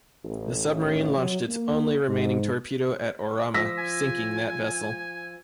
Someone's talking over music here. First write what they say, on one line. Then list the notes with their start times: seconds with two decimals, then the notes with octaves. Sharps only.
The submarine launched its only remaining torpedo at "Orama", sinking that vessel.
0.25 A1
1.17 F#3
1.49 A#3
2.08 G#2
3.54 F3 E6 A#6 B6
3.78 G#5